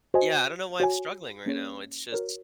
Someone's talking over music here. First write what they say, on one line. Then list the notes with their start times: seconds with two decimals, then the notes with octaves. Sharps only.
yeah, I don't know why I'm struggling right now. It's just
0.14 F#4 C5 D#5 G#5
0.80 F#4 C#5 G#5
1.46 A#3 C#4 G#4 C#5
2.12 F#4 A#4 C#5